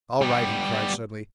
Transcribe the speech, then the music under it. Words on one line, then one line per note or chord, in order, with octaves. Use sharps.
"All right!" he cried suddenly.
G3 B3